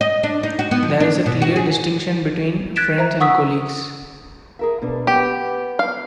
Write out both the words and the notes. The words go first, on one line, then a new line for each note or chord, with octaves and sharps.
There is a clear distinction between "friends" and "colleagues".
D#5
D4
D#4
F#4
B3
F3
D4
B2
F#4
G#4
F#6 G#6 A6 B6 D7 E7
C5 E5 A#5
F#5 C#6 D#6 E6 B6
G#4 A#4 E5
B2 D4
B3 G4
F5